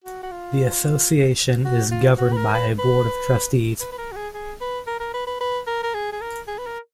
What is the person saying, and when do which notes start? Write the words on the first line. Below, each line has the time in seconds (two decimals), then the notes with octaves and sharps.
The association is governed by a board of trustees.
0.04 F#4
0.23 F#4
0.31 F4
1.65 F#4
1.91 F4
2.18 F#4
2.32 B4
2.37 A#4
2.54 B4
2.79 B4
3.80 B4
3.92 B4
3.98 A#4
4.12 F#4
4.16 G#4
4.34 G#4
4.61 B4
4.87 A#4
5.00 A#4
5.14 B4
5.27 B4
5.41 B4
5.67 A#4
5.83 A#4
5.94 G#4
6.12 G#4
6.21 A#4
6.48 G#4
6.58 B4
6.66 A#4